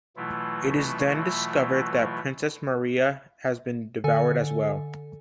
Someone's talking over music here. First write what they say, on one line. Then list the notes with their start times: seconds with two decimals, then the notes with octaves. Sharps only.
It is then discovered that Princess Maria has been devoured as well.
0.17 B2 E3 F#3 A3 E4 F4
4.04 D3 A4 G#5